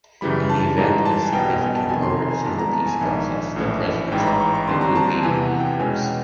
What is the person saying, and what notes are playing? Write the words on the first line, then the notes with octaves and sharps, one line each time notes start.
In the event of significant progress in the peace process, the presence would be increased.
F#2 C#3 E3 G3 B5
A5
G#2 E3 G3 A#5
A5
G#5
B1 B2 G3 B3 G5
G5
G#5
A5
F2 C3 D#3 G#5
C6
A#5
G#5
G2 E3 G#3 B3 A5
A#5
A5
G#5
A#1 G#2 D#3 G#5
A#1 A2 E3 A3 C#4
A1 G#2 E3 G5
B5
A#5
C#6
C#6
D#2 D3 G3 C4 C6
A#5
A5
A5
E2 C3 E3 G#5
F#5
G5
E2 B2 G#3 C#4 G#5
G5